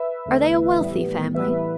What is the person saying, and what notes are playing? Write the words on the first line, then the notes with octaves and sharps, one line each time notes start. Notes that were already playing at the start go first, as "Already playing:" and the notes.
"Are they a wealthy family?"
Already playing: B4 E5
E2 D3 A3
A2 E3 G3 B3
A2 E3 G3 B3 B4 E5